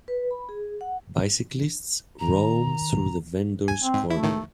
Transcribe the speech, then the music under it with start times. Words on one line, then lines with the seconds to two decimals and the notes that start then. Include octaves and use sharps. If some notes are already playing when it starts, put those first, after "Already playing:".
Bicyclists roam through the vendors ' corner.
0.08 B4
0.31 B5
0.49 G#4
0.81 F#5
2.19 D#3 A#5
3.68 G#5
3.80 C4
3.94 G#2
4.10 A3 E4
4.23 A2 D#3